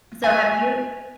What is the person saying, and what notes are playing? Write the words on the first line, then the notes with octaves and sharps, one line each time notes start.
So have you
G#5